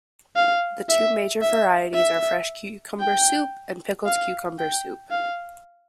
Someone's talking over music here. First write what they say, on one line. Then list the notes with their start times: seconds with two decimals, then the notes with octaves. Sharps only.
The two major varieties are fresh cucumber soup and pickled cucumber soup.
0.36 F5
0.89 E5
1.41 E5
1.94 E5
3.00 G5
4.05 F5
4.58 G5
5.11 F5